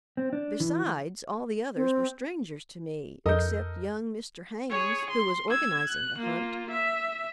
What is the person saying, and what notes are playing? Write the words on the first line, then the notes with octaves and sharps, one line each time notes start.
Besides, all the others were strangers to me except young Mr. Haynes, who was organizing the hunt.
C4
D4
E3
C4
F2 A4 A#4 D#5 G6
G#4 C#5
C6
E6 G#6
F#6
A#3 F4
E5